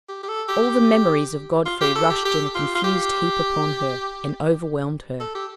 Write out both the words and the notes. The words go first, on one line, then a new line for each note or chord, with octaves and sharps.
All the memories of Godfrey rushed in a confused heap upon her, and overwhelmed her.
G4
G4
A4
G4
F4
G4
A4
G4
G4
F4
F4
G4
A4
G4